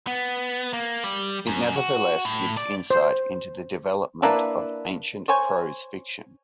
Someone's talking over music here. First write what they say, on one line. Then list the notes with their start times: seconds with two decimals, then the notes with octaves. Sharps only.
It nevertheless gives insight into the development of ancient prose fiction.
0.07 B3
0.73 A#3
1.04 G3
1.47 F#2
1.76 F#4
2.25 A2
2.57 D5
2.90 C5
4.22 A#3 D4 E4 B4
5.28 C5 C#5 G#5